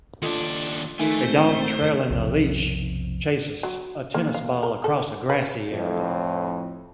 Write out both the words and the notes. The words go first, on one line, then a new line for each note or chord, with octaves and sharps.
A dog, trailing a leash, chases a tennis ball across a grassy area.
D#2 D4 F4 A4 D#5
D#3 A3 E5 G#5
G#1 C5
B1 F2 C3
F#3
A#3
F5
A#4
A4
B4
F2 A2